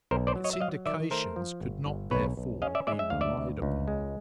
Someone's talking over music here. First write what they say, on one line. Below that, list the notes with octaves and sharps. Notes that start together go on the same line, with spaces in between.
Its indications could not, therefore, be relied upon.
B1 A#4 C5
C5 D5
F#3
C#5 D#5
E5
F#3 D#5 F5
D#3 D5 E5
A3 A#4 C5
F3
G1
G1
B1 B4 C#5
B1
C#4 D#5 F5
D5 E5
G#3 D5 E5
E5
D2 F5
D5 E5
D2
C#2
G#3